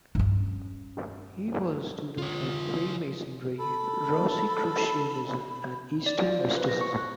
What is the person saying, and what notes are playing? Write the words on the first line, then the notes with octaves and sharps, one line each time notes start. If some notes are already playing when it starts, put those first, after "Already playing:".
He was a student of Freemasonry, Rosicrucianism, and Eastern mysticism.
G2 C#4
F4 C#5
A4 B5
D5
F4
C5
B4
A#6
C#6
F#6